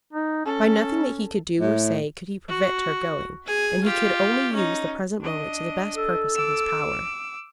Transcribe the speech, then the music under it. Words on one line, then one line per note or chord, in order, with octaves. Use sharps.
By nothing that he could do or say could he prevent her going, and he could only use the present moment to the best purpose in his power.
D#4
C#4 A4
A2
F#4
G#4 G#5
F4 G4
C#4 D#4
D4 D#5
A4
D6 E6